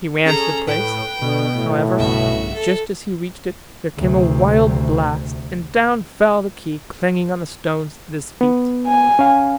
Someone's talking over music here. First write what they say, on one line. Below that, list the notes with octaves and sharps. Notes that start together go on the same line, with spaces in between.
He ran to the place, however: just as he reached it there came a wild blast, and down fell the key clanging on the stones at his feet.
C#4 G#4 A4 A#5
A2 B4 G5
B2 D3
A2
B1 G2 C#3 F#4 E5
A4
D2 C3
B3
G#5
C#4 F5